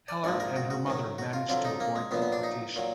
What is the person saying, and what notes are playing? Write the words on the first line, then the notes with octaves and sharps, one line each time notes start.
Heller and her mother managed to avoid deportation.
D5
A#1 G#2 F3 G#3 D5
A#4
F#4
F#4
G#2 D#3 F#3
F#4
F4
F2 D3 F#3 F4
D#4
A#3
G#3
A#1 A#2 F#3 B3
B3
D4
D#4
A#2 F#3